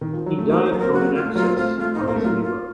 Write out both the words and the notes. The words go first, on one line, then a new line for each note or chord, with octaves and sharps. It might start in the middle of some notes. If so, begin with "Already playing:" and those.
He died from an abscess on his liver.
D#3
F3
F#3
A3
F#3 A#3 D#4
C5
F#3 A#3 A4
C4 A#4
F#3 A#3 F#4
F4
A3
F#3 A#3 F4
A3 C4 F4
F3 A3 F4
D#4
C4
A#3 A#4
A3
F#3 A#3 F4
F4